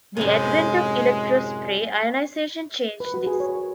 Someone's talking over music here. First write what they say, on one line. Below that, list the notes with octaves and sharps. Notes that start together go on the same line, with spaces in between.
The advent of electrospray ionization changed this.
F#2 A2 C3 G#3
B4
F#4
G#4
C#5
A#4